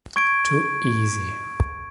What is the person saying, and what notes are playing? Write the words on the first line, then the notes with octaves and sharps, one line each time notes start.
Too easy.
C#6 G#6 D7